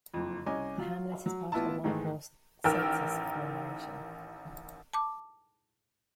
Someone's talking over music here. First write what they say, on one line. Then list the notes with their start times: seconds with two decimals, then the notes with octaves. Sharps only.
The hamlet is part of the Whitehorse Census Agglomeration.
0.14 F#1 F2
0.46 C2 C#4 D#5 G#5 D6
0.78 F#3 F4
1.26 F#3
1.52 A1 B3 E4 F4 A5
1.84 G#2 D#3 E3 G#3 A3
2.64 A1 D#3 A#4 G5 E6 F6
4.93 A5 D6